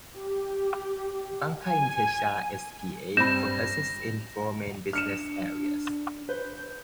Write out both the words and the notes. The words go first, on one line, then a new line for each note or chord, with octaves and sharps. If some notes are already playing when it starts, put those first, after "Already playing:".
Banca Intesa S.p.A. focuses in four main business areas.
G4
G#5
G2 G3 C4 B5 G6 A#6 E7
D4 F6 C#7 E7
B4 C5 G6